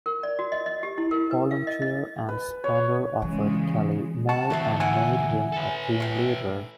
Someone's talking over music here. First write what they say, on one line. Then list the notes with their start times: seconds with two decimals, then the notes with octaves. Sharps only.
Pollentier and Splendor offered Kelly more and made him a team leader.
0.06 A#4
0.23 D5
0.39 F#4
0.52 D#5
0.66 D#5
0.83 G4
0.98 E4
1.11 A#4
1.31 B4
1.51 F5
1.67 D#5
1.82 D#5
2.29 B4
2.64 C#5
3.22 C#3 E3 G#3
4.29 F#4 A5
4.50 D2 E3 C4 E4 F#4
4.80 E4 F#5 G#5
5.52 A4 B4
6.00 A2 E3